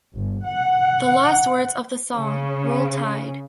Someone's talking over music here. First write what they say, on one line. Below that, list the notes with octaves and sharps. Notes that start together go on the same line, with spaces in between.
The last words of the song, Roll Tide!
G1
F#5
C#3